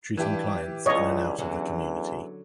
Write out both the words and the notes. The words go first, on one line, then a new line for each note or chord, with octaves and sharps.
Treating clients in and out of the community.
G2 E3 G4
C#2 D4 F4 C#5 D#5
E2 D3 F#3 C#4